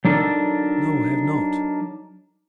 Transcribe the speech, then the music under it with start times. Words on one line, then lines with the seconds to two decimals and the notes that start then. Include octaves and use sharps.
"No, I have not."
0.05 F#3 D4 D#4 A4 A#4 D5